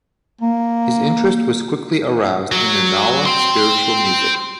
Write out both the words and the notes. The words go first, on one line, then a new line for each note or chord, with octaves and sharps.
His interest was quickly aroused in the Gnawa Spiritual Music.
A#3
F#3
G5 C6